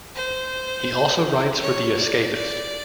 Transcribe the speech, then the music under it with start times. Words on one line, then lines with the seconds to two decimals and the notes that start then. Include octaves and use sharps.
He also writes for "The Escapist".
0.16 C5
1.62 C#5
1.98 D5
2.35 D5